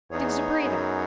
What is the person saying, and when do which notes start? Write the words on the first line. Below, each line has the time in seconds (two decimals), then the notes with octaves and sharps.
Give's a breather.
0.11 E2 B3 D#4 G#4 C#5
0.64 F#2